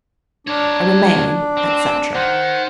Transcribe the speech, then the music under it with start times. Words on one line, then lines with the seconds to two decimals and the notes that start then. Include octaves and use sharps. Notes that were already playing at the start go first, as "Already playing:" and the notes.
I remain, etc.
0.47 D4 A#4 C#5
1.57 C4
2.15 D#3 C5 F#5